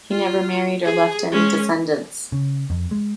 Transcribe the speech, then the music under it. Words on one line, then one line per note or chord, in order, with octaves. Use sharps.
He never married or left any descendants.
F4
G#4
G#3 C#4
C#3
F2
G#3